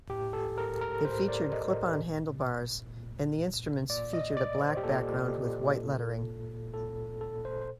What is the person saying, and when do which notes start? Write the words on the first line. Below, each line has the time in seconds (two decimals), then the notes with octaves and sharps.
It featured clip-on handlebars and the instruments featured a black background with white lettering.
0.10 A2 G4
0.33 A4
0.58 A#4
0.81 A#4
1.05 A2 C5
1.28 D5
1.52 D#5
2.00 A#2
2.94 A#2
3.89 A#2 D5
4.13 D#5
4.37 D5
4.61 C5
4.77 G4
4.84 A#2 A4
5.79 A#2
6.74 A#2 A4
7.21 A4
7.45 C5
7.61 C5